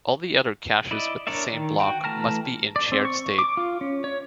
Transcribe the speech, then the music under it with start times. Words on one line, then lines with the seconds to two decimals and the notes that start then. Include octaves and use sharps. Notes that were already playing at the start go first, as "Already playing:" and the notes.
All the other caches with the same block must be in shared state.
0.91 E4 D5 D#5
1.27 D4 A#4 C#5 D5 E5
1.53 D#3
1.80 F#4 G5
2.04 E3 A3 A5 A#5 F6
2.76 D5
2.92 C4
3.05 C#6
3.39 D6
3.57 F4
3.81 C#4
4.04 C#5